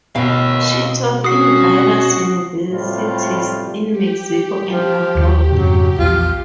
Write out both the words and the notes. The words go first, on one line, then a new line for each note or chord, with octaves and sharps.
She taught in various universities in Mexico and abroad.
B2 D#5 F5
C3 C#4 F#4 D#6 C7
A2 C3 G3 F4
G4
F3
D#2 D#3
F2 G#2 C#3 F#3
A#1 E2 F3 F4